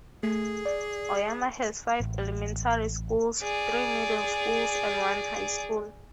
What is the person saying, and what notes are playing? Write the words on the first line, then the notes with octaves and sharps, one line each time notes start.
Oyama has five elementary schools, three middle schools and one high school.
A3 G#4
D5
A1
G#4 D5